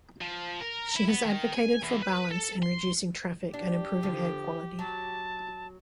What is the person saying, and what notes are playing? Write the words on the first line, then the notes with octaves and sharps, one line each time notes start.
She has advocated for balance in reducing traffic and improving air quality.
F3
A#4
E4
B3
D#3
G#5
E2
B4
A4
C6
D4 G4
D3 F3
F#3 A5